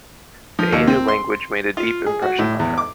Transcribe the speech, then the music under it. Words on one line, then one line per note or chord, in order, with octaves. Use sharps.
The Ainu language made a deep impression on her.
F3
D#2
C4
C6
F4
G#4
F#4
A2
E2
D6